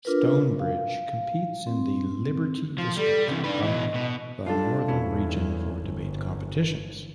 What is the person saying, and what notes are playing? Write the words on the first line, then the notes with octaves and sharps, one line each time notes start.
Stone Bridge competes in the Liberty District of the Northern Region for debate competitions.
D4 F4 A#4 B4
F5
C4
F3
G3 A4
C3 E3 C#4
D4 D#4 B4
B2 E3 D#5
B2
G3 D4 F4 A4
E2 C#4 E4
G1